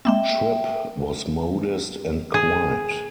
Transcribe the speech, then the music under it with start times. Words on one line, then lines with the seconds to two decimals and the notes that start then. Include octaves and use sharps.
Tripp was modest and quiet.
0.05 G#3 A#3 C4 E5 G5
2.34 G#4